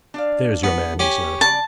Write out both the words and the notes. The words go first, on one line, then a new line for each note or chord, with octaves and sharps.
'There's your man,' he said.
D4 D5 F5
B3 A4
C#4 G4
C#3 D5 A5